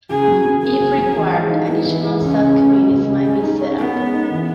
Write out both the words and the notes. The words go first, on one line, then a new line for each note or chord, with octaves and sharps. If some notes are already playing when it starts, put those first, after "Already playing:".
If required, additional sub-committees may be set up.
C#3 G#4
F#3
C#4
A#3 G#4
C#3
F#3
E3
G#3
D#4
B3 E4
E3
G#3
C#2 C#4
C#3
C#2
G#3
C#2
C#3
G#3 C#4
D#4
C#5
B3 A#4
G#3
D#4
E3